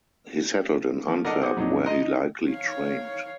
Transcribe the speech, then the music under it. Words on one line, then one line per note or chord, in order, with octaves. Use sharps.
He settled in Antwerp where he likely trained.
F3
D4 A4 A#4 D5 D#5 F#5
F#4 G#4 C5 F#5 D6 D#6
F2 A#2 F#3 D4 D#4
D#5 A#5 C6 D#6
D#4
C#5 F5